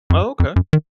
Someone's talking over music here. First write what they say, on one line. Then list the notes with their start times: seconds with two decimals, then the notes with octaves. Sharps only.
Oh, okay.
0.10 F2
0.15 F#2
0.40 F2
0.56 F#2
0.73 D#3